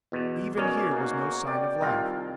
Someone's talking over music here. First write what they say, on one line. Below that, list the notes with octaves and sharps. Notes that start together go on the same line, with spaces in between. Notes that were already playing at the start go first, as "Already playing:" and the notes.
Even here was no sign of life.
E2 B2
B2 C#4 G#4 A#4 C#5 D5
A#3 D#4 F#4
D5 G5
C2 C3 D#3 F4 D#5 A#5